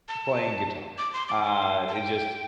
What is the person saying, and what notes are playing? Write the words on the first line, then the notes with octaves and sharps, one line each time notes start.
playing guitar. Uh, it just
A5
D6
C6
D6
D6
C6
A5
G5